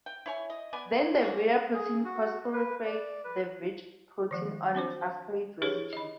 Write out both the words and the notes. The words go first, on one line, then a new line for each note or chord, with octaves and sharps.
Then the virA protein phosphorylates the virG protein on its aspartate residue.
G5
E4 C#5 G#5
D#5
B3 B4 D5 G#5
G#3 A#3 C#4 F#4
G#4
F#4
B4
D5
B4
D#3 F3 G#3
C4 D4 F#4 C5
D4 E4 G4 G#4 B4 C#5
D#5 B5